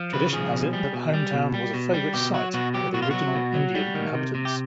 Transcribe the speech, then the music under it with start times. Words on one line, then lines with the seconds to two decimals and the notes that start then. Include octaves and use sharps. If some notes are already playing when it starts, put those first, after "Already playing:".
Tradition has it that Hometown was a favorite site of the original Indian inhabitants.
Already playing: F3
0.13 C#3 B4
0.33 F3 G#4
0.53 B2
0.73 G3
0.93 B2
1.14 G3
1.33 B2
1.54 G3
1.74 B2
1.94 G3
2.14 B2 G4
2.34 F#3 F#4
2.54 B2 F#4
2.74 F#3 G4
2.94 B2 F#4
3.02 F4
3.11 F#3 F#4
3.34 B2
3.54 F#3
3.75 G3
3.94 D#3
4.15 C3
4.35 C3
4.45 G4